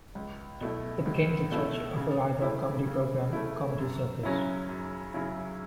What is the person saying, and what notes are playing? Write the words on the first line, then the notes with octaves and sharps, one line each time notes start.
He became the judge of a rival comedy program "Comedy Circus".
C#2
B2 A3 E4
C#2
B2 A3 E4
C#3
A3 E4
C#3
A3 E4
F#2
C#3 F#3 C#4 E4
F#2
C#3 F#3 C#4 E4